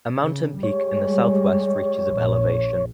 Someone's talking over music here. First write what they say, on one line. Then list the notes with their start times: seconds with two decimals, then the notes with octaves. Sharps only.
A mountain peak in the southwest reaches of elevation.
0.19 C#3
0.63 G3 G#3 C#5
2.16 A#1